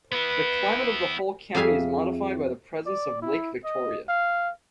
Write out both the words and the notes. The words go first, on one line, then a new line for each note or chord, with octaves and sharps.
The climate of the whole county is modified by the presence of Lake Victoria.
B3 E4 B4
F2 G#4 E5 F5 G#5
D5
E4
D#5
F5